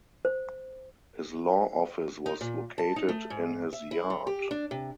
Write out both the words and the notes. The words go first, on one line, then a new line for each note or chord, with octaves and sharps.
His law office was located in his yard.
C5
D#4
A#2
A5
D#4
A3
G#2
E5
E4
D3
G4
D4
C3